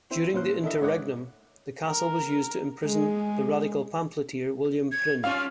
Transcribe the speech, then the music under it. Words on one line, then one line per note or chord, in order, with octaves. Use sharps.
During the interregnum, the castle was used to imprison the radical pamphleteer William Prynne.
C4 E4 C5
A#2 C#4 C5 F#6
D4 E4 A4 A#4 D#5 E5
G#2 C#5 D#5 F#5 D6
A#4
G#3 G#4
G#6
G3 C#4 F4 F5 F6